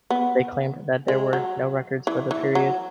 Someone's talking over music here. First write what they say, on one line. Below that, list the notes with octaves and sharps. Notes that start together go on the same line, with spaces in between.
They claimed that there were no records for the period.
B3
G#3
F#3
E3
E3
F#3